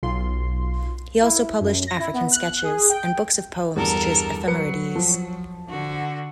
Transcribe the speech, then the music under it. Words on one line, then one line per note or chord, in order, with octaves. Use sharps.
He also published "African Sketches" and books of poems, such as "Ephemerides".
B1 F4 C6
E4
F#2
A#6
E4
B3
F#6
G#4
G5
E2 G2 A4 A#4
F#3 B4 C#7
F3
D3 F#4